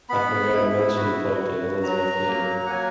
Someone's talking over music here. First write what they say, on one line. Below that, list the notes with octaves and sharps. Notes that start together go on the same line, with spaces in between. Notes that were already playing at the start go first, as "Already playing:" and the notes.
I forgot to mention poke, that one's my favorite.
B3 B5
E4
F#4
F#4
F#3 A#5
A#3
F#5
F#3 G#5